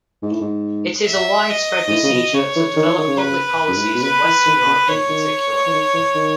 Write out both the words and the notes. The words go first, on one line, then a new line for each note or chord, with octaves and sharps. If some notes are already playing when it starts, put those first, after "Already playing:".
It is a widespread procedure to develop public policies in Western Europe in particular.
G#2
A2
G#2
E5
D#5
G#2
A2
C#3
B2
C#3 C#5
E3
D#3
E3
D#3
C#3
B4
F#2
G#2
A2
B2
C#3 B4
E3
D#3
C#3
D#3 C#5
D#3
E3
D#3
E3
D#3